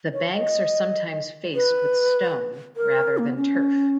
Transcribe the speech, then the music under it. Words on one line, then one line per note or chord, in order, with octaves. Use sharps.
The banks are sometimes faced with stone rather than turf.
C#5
D#5
B4
A#4
A#3
B3
C#4